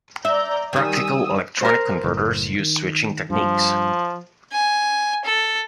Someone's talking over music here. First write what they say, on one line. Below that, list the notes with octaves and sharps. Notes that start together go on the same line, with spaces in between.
Practical electronic converters use switching techniques.
D5 E5 A#5 G6
D#3 G3 G#5 D#6 E6
A#4 C5
F#1 A2
D#3
G2 F3
G#5
A4